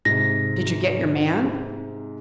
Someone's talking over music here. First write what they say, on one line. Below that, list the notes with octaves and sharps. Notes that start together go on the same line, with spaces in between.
"Did you get your man?"
G#2 C3 A#6